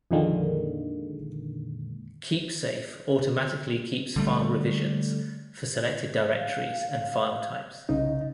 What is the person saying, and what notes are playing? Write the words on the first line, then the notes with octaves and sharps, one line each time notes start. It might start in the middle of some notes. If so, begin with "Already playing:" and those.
KeepSafe automatically keeps file revisions for selected directories and file types.
F2 A#2 D3 D#3 G#3 A#3
D3 G3 A3
F5
C2 C#3 D#4 D#5